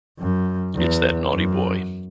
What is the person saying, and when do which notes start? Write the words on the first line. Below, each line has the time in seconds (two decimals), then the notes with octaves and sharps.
It's that naughty boy.
0.19 F#2
0.75 E2
1.31 F#2